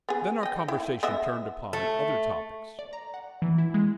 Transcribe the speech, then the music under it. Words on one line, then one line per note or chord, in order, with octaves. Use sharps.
Then our conversation turned upon other topics.
B3 G#4
D#5 G5
E4
B3 D#5 E5
A3
D5
A#5
F#5
E3
E4
G#3